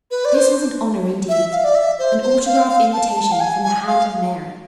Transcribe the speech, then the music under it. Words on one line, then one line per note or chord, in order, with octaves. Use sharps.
This was an honor indeed--an autograph invitation from the hand of Mary!
B4
D5
C5
E5
F5
D5
E5
C5
C5
F5
F5
A5
A5
F5
G#5
G#5
F5